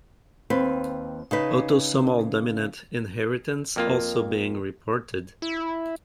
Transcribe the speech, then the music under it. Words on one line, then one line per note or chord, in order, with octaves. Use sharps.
Autosomal dominant inheritance also being reported.
D#2 C4 B4
C#3 D#4 B4
F2 A#3 F4
E4